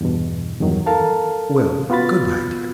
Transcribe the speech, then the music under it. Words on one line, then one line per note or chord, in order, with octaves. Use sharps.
Well, good-bye, dear.
E2 G2 B2
E2 G2 D#3 F#3
A4 A#4 F5 A5
B3 F4 F#4 B5 A6